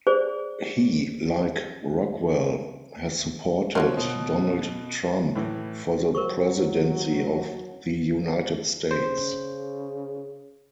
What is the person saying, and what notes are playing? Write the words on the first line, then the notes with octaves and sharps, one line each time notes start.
He, like Rockwell, has supported Donald Trump for the presidency of the United States.
G#4 C5 D5
F3 F#3 A#4 C5 C#5 F#6
B2
A2 E3
F#3 A#4 C5 C#6
C#3 C5